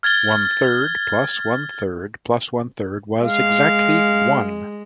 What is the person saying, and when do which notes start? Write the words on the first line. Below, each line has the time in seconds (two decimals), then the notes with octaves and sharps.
One third plus one third plus one third was exactly one.
0.03 F6 G#6 A6 G7
3.23 G#3 F5